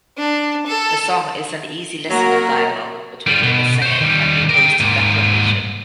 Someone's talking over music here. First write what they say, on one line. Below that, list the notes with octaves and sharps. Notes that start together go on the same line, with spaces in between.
The song is an easy listening dialogue between Mina's singing and Lupo's declamation.
D4
A4
F#3 A#3 F#4 A#4
G3 F4
B2
C5 C#5
D#3 G3
A#4 G5
G#2 A#3